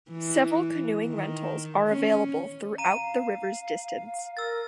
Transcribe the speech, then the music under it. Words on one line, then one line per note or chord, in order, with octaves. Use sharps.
Several canoeing rentals are available throughout the river's distance.
E3
D#3
C#4
F5 A#5 D#7
A#4 E6 A6